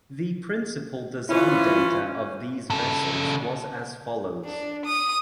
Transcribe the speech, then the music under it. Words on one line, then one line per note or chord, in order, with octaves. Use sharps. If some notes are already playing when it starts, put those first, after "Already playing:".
The principal design data of these vessels was as follows.
E3 C#4 E4 F4
C#3 A4
D4
D#6